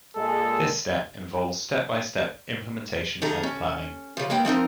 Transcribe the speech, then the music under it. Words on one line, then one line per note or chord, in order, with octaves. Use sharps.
This step involves step-by-step implementation and planning.
A#2 G#3 A4
D2 D#3 G#4 A4 A#5
C#4
C#3 F3
C#3 G#3 A#3 B3 G5
F3 C4 D#4 A#4